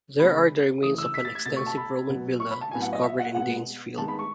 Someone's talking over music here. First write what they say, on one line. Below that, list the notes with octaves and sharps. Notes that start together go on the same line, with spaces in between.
There are the remains of an extensive Roman villa discovered in Danes Field.
C#3 G#3 B3 B5
C#3 E3 A3 D#6
E6
B6
A6
G#6
B2 A3 A6
C#6
A5
B5
B2 F#3 B3
C#6
B5
A5
A2 F#3 B3 G#5
F#5
D#5
E5
F#5
B2 G#3 B3 F#5
D#3 G#3 B3 A5
B5
C#6